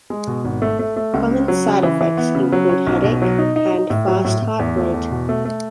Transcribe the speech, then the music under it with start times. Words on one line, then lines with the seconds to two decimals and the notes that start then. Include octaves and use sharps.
Common side effects include headache and fast heart rate.
0.10 G#3
0.27 B2
0.45 G#1
0.62 A3
0.79 A3
0.97 A3
1.14 C#2
1.31 C#3
1.48 F#3
1.66 C#3
1.83 E3
2.01 E3
2.17 B3
2.35 C#3
2.52 F#3
2.69 C#4
2.86 B1
3.04 B2
3.22 F#3
3.38 D#4
3.56 D#4
3.73 D#4
3.90 A2
4.08 F#3
4.25 A2
4.42 A2
4.59 E2
4.77 A3
4.94 E2
5.11 B2
5.29 A3
5.45 A3